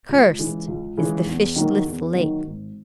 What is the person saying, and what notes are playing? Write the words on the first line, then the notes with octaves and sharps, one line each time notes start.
"Cursed is the fishless lake!"
C#2
C#3 E3 G#3
C#2
C#3 E3 G#3
E2
D#3 F#3 A#3
E2
D#3 F#3 A#3
G#1